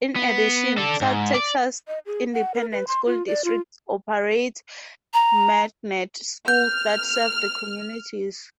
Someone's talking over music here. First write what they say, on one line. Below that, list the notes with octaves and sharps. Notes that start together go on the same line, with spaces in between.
In addition, South Texas Independent School District operates magnet schools that serve the communities.
B3
D4 A4
G#2
D5
D#5
G#4
F#5
A#4
B4
C6
F4
D5
F4
A#5
F6 G6